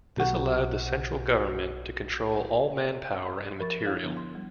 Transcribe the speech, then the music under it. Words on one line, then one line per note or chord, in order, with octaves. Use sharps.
This allowed the central government to control all manpower and material.
B1 F#4
F3 A#4 B5 C#6 A6
D4 E4 C#5 F5
D3 F3 B3 D4
C6
G3